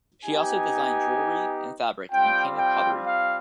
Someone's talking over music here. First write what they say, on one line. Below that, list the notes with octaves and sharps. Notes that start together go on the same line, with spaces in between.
She also designed jewellery and fabric, and painted pottery.
B3 D#4 G4 G#5
G3 C4 F4 G5
G5
F5